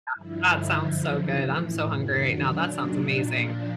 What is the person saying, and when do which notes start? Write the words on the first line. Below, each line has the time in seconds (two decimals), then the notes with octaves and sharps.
yeah, that sounds so good, I'm so hungry right now, that sounds amazing.
0.14 G2 D3 F3 E4
0.43 D#4
0.71 F#2 D3 F3
1.28 A2 E3
1.85 F#2 D#3 F#3
2.13 D4
2.42 A#2 F#3 D4
2.70 D#4
2.99 A#2 F3 D4